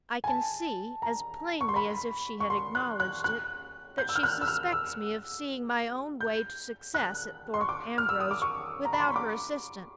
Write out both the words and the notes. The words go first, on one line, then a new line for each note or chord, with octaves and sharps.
I can see, as plainly as if she had acknowledged it, that she suspects me of seeing my own way to success at Thorpe Ambrose without her assistance.
G#5
A5
A#5
C#6
C6
B5
C#6
C6
F#6
F#6
F#6
G6
E6
F6
F#6
E6
F6
E6
G6
F#6
C6
C#6
D6
F6
E6
D#6
D6
C#6
A#5
B5
C6
C#6
D6